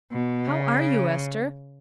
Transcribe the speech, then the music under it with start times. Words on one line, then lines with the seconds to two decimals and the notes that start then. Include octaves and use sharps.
"How are you, Ester?"
0.12 B2
0.47 C#3